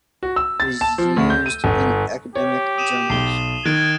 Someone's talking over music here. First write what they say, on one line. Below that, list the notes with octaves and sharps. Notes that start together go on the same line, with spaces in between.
It is used in academic journals.
F#4
E6
A6
A5
F3
D2
G6
D#7
G1
G4 C#5
D#6 D#7 E7
B1 C7 G7
D#3 F#6 G#6 A6 D7